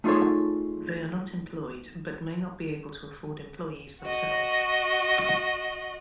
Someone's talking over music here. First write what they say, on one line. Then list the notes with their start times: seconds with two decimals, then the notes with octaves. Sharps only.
They are not employed, but may not be able to afford employees themselves.
0.04 A3 D#4 F4 G#4 A4 C#5
4.03 F#4 D#5